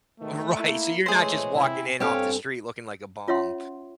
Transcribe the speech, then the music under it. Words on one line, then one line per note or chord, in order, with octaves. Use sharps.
Right, so you're not just walking in off the street looking like a bum.
G#2 B2 D#3 A3
A#3 E4
E3 G#3 A3 G#4 C5 C#5
C3 E4
G2 C4 G4 A4 C#5 F5 G#5
C#4 F4 C#5 E5 F#5 C6